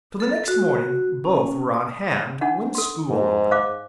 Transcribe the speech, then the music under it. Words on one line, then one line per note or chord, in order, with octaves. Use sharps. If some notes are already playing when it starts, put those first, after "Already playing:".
So the next morning both were on hand when school opened.
A4
F#4
C#4
D#6
D4 D#4 F#5
A4 C6
G#2
C5 F5 D6